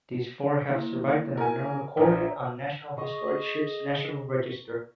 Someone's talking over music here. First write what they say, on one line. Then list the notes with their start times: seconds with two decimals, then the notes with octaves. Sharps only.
These four have survived and are now recorded on National Historic Ships' National Register.
0.70 A#3 E4
1.37 A#4 G#5
1.97 A#1 D5 A#5
2.98 G#4 D#5 C#6